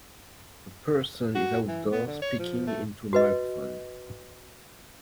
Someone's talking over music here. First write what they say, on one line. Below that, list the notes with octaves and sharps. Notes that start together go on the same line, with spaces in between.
A person is outdoors speaking into a microphone.
F#4
E3
B3
D3
C#5
F3
A3
F#4 B4 D#5